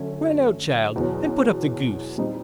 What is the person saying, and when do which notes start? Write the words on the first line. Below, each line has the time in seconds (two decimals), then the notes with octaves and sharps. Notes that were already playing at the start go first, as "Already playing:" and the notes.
Run out, child, and put up the goose.'
Already playing: F#2 D3 F#3 A3 C#4
0.96 E2 B2 F#3
2.18 A#2 G3 C4 D#4